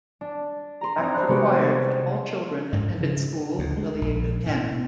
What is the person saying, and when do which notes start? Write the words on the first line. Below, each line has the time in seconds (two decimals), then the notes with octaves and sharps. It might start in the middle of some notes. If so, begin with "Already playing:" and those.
The Act required that all children attended school until the age of ten.
0.21 D4
0.81 A#5 C6
0.98 C4 D4 D#4
1.14 C5 E5 B5 F#6
1.28 C3 G#3 B3 D#4 F#4 G4
1.51 C5
2.73 G#2
3.01 C#3
3.59 D2
3.77 G#3
4.01 A#1
4.46 A2